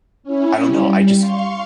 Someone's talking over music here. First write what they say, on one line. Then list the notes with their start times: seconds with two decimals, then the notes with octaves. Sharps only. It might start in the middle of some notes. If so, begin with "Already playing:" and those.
I don't know, I just
0.23 C#4 E4
0.62 G3
1.18 F5 C6 C#6